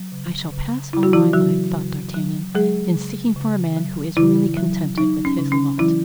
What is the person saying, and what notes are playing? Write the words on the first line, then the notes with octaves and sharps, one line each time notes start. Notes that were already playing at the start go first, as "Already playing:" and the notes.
"I shall pass all my life," thought D'Artagnan, "in seeking for a man who is really contented with his lot."
Already playing: F#3
C#3
C#3
C#3 E4
F#4
E3 E4
C#3 F#3 F#4
C#3
F#3
F#3 G#3 G#4
C#3
C#3
F#3
C#3 E3 E4
F#3
F#3 D#4
C#4
C#3
C#4
E3 F#3 E4